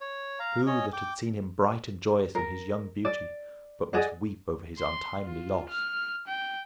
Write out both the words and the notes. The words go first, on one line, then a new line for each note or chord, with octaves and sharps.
Who that had seen him bright and joyous in his young beauty, but must weep over his untimely loss!
C#5
F5 A#5
C#4 C#5 D#5
G5 D6
A#4
D5
G#4 D5 D#5 F#5
C6
F4
F6
G5